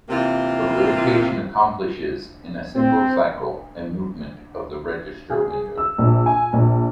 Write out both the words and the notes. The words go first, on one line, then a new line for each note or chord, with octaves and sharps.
A rotation accomplishes in a single cycle a movement of the register window.
C3 E3 A#3 F4
C4
G#4
E6
A#1
G#5
A#1